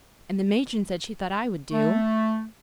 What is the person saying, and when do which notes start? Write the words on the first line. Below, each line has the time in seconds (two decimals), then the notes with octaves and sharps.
And the matron said she thought I would do.
1.71 A3